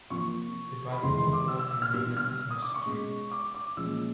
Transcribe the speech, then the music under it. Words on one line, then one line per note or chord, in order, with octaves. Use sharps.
The badminton club remained on Agnes Street.
C3 F3 A#3 C#6
B5
F2 C3 E3 G#3 C4 C6
C6
D6
E6
E6
E6
F6
B2 G3 B3 D4 E6
F6
E6
D#6
D6
C#6
B2 G#3 C#4
D6
D6
A#2 F3 G#3 C#4 E6